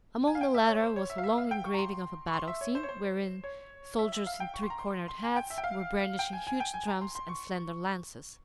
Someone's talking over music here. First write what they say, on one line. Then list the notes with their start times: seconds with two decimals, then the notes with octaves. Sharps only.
Among the latter was a long engraving of a battle scene, wherein soldiers in three-cornered hats were brandishing huge drums and slender lances.
0.27 G#5
0.35 F5
0.41 G5
0.55 E5
0.69 C#5
0.82 C5
0.96 C#5
1.10 E5
1.18 F5
1.24 E5
1.38 F5
1.51 G5
1.65 C#6
1.74 A#5
1.78 C6
2.27 C#6
2.34 C6
2.48 E5
2.61 C#5
2.75 C5
2.83 C#5
2.89 C5
3.44 C#5
3.99 E5
4.12 E5
4.26 F5
4.40 G5
4.54 C#6
4.63 C6
4.70 A#5
4.79 C6
5.08 C6
5.23 G#5
5.36 G5
5.50 E5
5.58 G5
5.64 F5
6.19 G5
6.33 G#5
6.47 G#5
6.60 G5
6.74 G#5
6.88 A#5
7.01 C6
7.15 C6
7.29 C#6